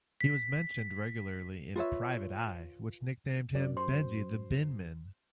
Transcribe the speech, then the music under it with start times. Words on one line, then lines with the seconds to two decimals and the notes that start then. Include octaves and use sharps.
He was mentioned regularly in "Private Eye", which nicknamed him 'Benji the Binman'.
0.21 B6
1.76 F4 B4 C#5 E5
3.55 F#2 D5
3.77 C5 C6